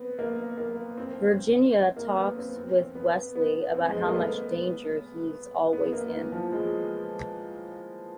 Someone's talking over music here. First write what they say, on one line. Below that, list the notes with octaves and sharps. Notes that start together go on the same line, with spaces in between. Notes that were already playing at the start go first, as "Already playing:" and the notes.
Virginia talks with Wesley about how much danger he's always in.
Already playing: B3 C4
A#3
A#3
C4
A#3
B3
C4
C4
B3
B3
C4
G#3
A3
A#3
B3
B3
A#3
E3
F3
G#3